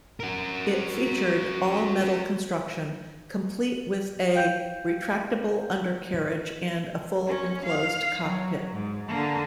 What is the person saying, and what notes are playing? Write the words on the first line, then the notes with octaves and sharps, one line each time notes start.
It featured all-metal construction, complete with a retractable undercarriage and a fully enclosed cockpit.
F#4 A#4
F5 G5 G6
C#4
F5
F#3
G#2
D3 A#3